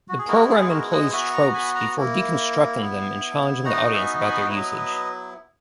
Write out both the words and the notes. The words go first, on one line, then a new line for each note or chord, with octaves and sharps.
The programme employs tropes before deconstructing them and challenging the audience about their usage.
F#4
G#4
G#3 B3 E4 F#4 A#4
G#4
F#4 A#4
D#5 F#5
B3 F#4 E5 G#5
A#5 C#6
G#5 B5
F#5 A#5
A#3 E4
B3 E4
B3 D#4 F#4 F#5 A#5
E5 G#5
G#5 B5
F#3 B3 E4 B4 D#5